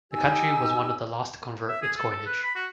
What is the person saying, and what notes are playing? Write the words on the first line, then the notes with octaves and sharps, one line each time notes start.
The country was one of the last to convert its coinage.
D#4 G4 G#5 E6
E5
G#4
A4
A4
B4
B5
F#4